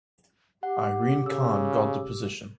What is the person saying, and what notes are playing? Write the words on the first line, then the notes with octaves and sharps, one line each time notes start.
Irene Khan got the position.
G4 F#5
C#3 E6